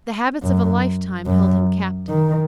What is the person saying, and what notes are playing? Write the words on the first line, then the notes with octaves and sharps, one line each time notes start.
The habits of a lifetime held him captive.
F#2
F#2
D#3